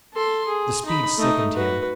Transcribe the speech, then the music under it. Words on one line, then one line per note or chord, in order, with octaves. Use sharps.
The speed sickened him.
A4 C6
G#4
D#4 B5
A3 D#4
F#4 B4